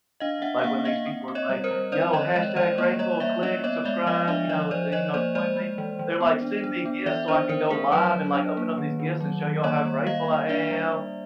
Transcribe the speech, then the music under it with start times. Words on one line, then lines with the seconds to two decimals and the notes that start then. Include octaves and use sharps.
like, when these people are like, "Yo, hashtag grateful. Click, subscribe!" You know, eh, you know, "Join me," they're like, "Send me gifts so I can go live and, like, open up these gifts and show y'all how grateful I am!"
0.20 D4 D#5 F5
0.42 D4 E5 F#5
0.59 F5
0.64 A#3 E5 F#5
0.85 A#3 D#5 F5
1.06 C4
1.28 C4
1.35 C#5 D#5
1.49 G3
1.64 A#4 C5
1.71 G3
1.92 C4 C5 D5
2.13 E3 C#5 D#5
2.35 G#3 C#5 D#5
2.56 E3 C5 D5
2.78 A#3 C#5 D#5
2.99 G3 C#5 D#5
3.20 A#3 D5 E5
3.43 C#4 C#5 D#5
3.64 B3 C#5 D#5
3.85 G#3 D5 E5
4.06 F3 D#5 F5
4.28 D4 D5 E5
4.49 F3 C#5 D#5
4.71 F3 C5 D5
4.92 F3 C#5 D#5
5.14 A#3 C5 D5
5.35 G#3 C5 D5
5.56 G#3
5.78 E3
5.99 E3
6.21 B3
6.42 D4
6.64 D4
6.85 B3
7.06 E3 D5 E5
7.28 D4 C5 D5
7.49 E3 A#4 C5
7.70 A3 G#4 A#4
7.92 F#3 B4 C#5
8.14 F#3
8.35 D4
8.57 A#3
8.78 D#3
9.00 D#3
9.21 F#3
9.43 D#3
9.64 A#3 C#5 D#5
9.85 G3
10.06 G3 D#5 F5
10.28 A#3
10.49 D4 D5 E5
10.71 G3
10.92 G3